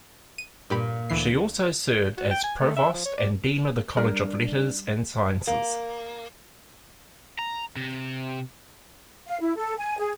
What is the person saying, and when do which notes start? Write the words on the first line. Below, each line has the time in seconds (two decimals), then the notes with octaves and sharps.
She also served as provost and dean of the College of Letters and Sciences.
0.38 D#7
0.70 G2 A#2 G4 B5
1.10 D2 E3 C7
2.17 F#4
2.31 G5
2.44 G#5
2.60 A3
2.76 E5
2.93 F3
3.06 C#5
3.18 D5
3.97 G3 D4 A#4
5.47 A#3
7.39 A#5
7.76 C3
9.27 F5
9.41 E4
9.56 A4
9.78 G#5
9.98 G#4